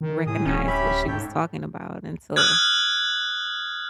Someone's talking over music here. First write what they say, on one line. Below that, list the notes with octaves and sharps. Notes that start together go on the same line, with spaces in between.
recognize what she was talking about until
D#3
A2 G#4 D#6
D1 C#4
G4 E5 B5
G#2 A4 C#5 G5
D#6 F6 F#6 G#6